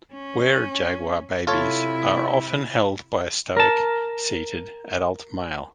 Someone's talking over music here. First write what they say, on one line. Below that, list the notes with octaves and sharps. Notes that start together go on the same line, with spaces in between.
Were-jaguar babies are often held by a stoic, seated adult male.
C#4
C3 E4 F4 A4 C#5
A#4 A5